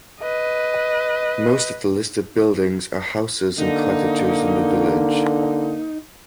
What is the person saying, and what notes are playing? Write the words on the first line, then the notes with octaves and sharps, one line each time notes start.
Most of the listed buildings are houses and cottages in the village.
B4 D#5
D3 A#3 D#4